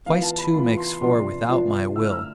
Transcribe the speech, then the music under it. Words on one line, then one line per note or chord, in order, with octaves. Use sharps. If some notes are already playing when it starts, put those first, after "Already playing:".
Twice two makes four without my will.
E3 B3 F4 F5
A5
B5
E3 B3 F4 B5
C6
C3 F3 B3 D4 F4 C6
C3 F3 B3 D4 F4
D3 A3 E4 E6
F6
E6